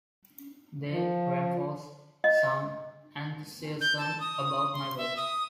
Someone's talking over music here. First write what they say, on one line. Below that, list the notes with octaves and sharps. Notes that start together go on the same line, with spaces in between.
They reinforce some enthusiasm about my work.
F3
D#5
G6
A5
D#6
C6
E5
D#6